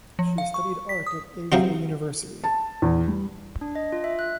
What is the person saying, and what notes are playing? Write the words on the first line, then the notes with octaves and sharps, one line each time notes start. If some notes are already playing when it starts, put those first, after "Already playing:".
She studied art at Ege University.
F3
F5
C#6
B6
D#6
C3 F3 F#3 C4
A5
E2
G3
D4
D#5
F4
E5
F#6